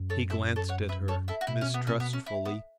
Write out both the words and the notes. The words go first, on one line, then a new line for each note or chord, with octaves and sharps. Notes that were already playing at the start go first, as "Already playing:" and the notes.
He glanced at her mistrustfully.
Already playing: F#2
A4 C#5
E4 A4
A4 C#5
C#5 F#5
B4 E5
A4 C#5
E4 A4
F#4
B2 E4
C#4
B3
C#4
B3
C#4
E4
B3